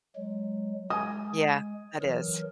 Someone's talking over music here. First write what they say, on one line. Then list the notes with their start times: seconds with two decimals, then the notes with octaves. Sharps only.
Yeah, that is.
0.16 F#3 G#3
0.90 G#3 G#5 D#6
2.01 E3 F#3 A#4